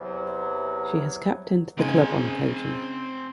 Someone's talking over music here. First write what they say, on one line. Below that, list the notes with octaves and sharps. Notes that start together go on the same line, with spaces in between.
She has captained the club on occasion.
E2 C3 F#3
C#3 G#3 C4 D#4 G#5